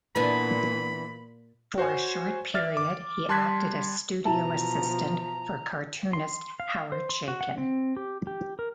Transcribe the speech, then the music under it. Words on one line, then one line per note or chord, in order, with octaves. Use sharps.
For a short period he acted as studio assistant for cartoonist Howard Chaykin.
A#2 E3 B3 D4 B5
F#4 C5 C#5 G#5
D5 E5 F6 A6
D6
G3 A5 C6 F#6 G#6 B6
B2 F3 E4 A5 A#5
C6
F5
C5
C6
F#4
F#5
C4
G4
G4
A#4